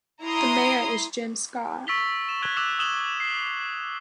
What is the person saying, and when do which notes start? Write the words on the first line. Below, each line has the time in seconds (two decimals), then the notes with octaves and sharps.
The mayor is Jim Scott.
0.24 E4 A#5 C6 D#6
1.87 C#6 E6 A6 B6 F7 G7
2.29 E7 F7
2.42 C#6 F#6 G#6 F7 G7
2.57 D6 E6 F#6 B6 E7 F7
2.79 D#6 E6 D#7 E7 F#7 G7
3.20 C7